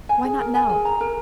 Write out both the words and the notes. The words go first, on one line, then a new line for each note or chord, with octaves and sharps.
Why not now?
G#5
G#4
A#4
G#5
G#4
A#5
A#4